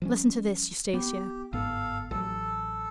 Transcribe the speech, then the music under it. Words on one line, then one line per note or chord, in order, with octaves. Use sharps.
Listen to this, Eustacia.
F3 G3 C#4
B3 G4
G1 G#2 B3 A4 F5
A1 F#3 A4